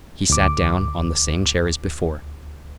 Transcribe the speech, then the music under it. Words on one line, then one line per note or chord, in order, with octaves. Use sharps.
He sat down on the same chair as before.
D2 D6